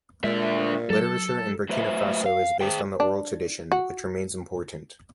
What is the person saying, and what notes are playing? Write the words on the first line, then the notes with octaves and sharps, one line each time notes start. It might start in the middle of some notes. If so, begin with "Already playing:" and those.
Literature in Burkina Faso is based on the oral tradition, which remains important.
A#2 D3 G#3 E5
F#3 A4
F#3 A3 B4 C5 E5
F5
G#4 C5 G5
D4
F#4